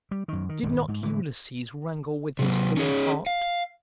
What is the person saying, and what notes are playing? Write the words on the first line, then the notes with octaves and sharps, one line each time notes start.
Did not Ulysses wrangle with his own heart?
G3
F#2 D#3
D#3
D#1 G#1 G2 D#3
G#2
A2 D3 E3
C3 F#3
C#4 D#4 G#4 C#5
F5